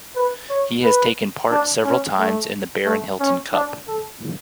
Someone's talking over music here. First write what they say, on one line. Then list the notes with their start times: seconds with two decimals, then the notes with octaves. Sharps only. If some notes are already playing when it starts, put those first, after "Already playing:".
He has taken part several times in the Barron Hilton Cup.
0.15 B4
0.49 C#5
0.83 B4
1.51 D4
1.84 C#4
2.18 A3
2.86 A3
3.20 C#4
3.53 D4
3.87 A4